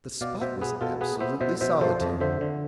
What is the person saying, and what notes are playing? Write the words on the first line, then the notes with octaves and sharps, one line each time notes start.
The spot was absolutely solitary.
B2 D5 F5
B2 C5 E5
B3 G#4 B4
B2 F4 A4
B3 G#4 B4
B3 C5 E5
B2 C5 E5
B2 C5 E5
F3 A4 C5
F2
D3 C5 E5
D3